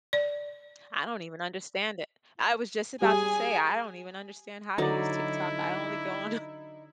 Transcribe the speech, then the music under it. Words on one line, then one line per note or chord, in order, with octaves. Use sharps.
I don't even understand it, I was just about to say I don't even understand how to use TikTok, I only go on
D5
G3 G#4 G#5
D3 F#3 D#4 E4 D5